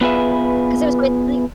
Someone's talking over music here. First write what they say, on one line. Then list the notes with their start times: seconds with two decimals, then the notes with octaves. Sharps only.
'cause it was quite le
0.01 B3 F4 G#4 B4 E5